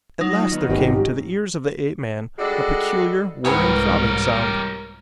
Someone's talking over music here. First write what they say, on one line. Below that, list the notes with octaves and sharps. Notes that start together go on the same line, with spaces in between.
At last there came to the ears of the ape-man a peculiar whirring, throbbing sound.
F#3 D#4
F4 F#4
D#3 A#3 B3
G#1 G#2 C4 C#4 G4
G4
G3 G#3 D4 F#4 A4
C2 G#2 E3 G3 B3 C4 A#4 C#5